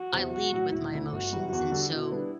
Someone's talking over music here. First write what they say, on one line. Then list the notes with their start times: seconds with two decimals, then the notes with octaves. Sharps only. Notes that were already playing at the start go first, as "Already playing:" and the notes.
I lead with my emotions, and so,
Already playing: F#4
0.12 E2 C3 F#3 C4
0.32 B1 F#4
0.52 A2 F#3
0.72 E1 E4
0.92 D2 D3
1.12 G1 F#4
1.32 F#2 E3 G3
1.52 E2 F#4
1.72 D3 G3 D4 A4
1.92 B2 E4
2.12 G3 B3 D4